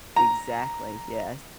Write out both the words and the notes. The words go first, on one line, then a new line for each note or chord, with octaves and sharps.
Exactly, yes.
A#5